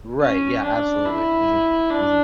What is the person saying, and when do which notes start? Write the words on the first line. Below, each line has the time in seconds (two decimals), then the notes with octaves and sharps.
Right, yeah, absolutely, mhm. Mhm.
0.20 C#4
0.63 D4
1.04 E4
1.90 D4